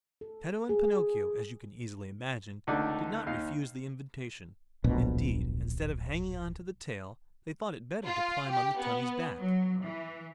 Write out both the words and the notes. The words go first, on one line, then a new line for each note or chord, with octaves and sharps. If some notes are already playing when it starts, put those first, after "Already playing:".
Geppetto and Pinocchio, as you can easily imagine, did not refuse the invitation; indeed, instead of hanging onto the tail, they thought it better to climb on the Tunny's back.
A4
G#4
C#2 D3 A3 D#4 D5
D#2 D#4 F5
D1 A#1 B2
F4
G4
B3
F#3
E3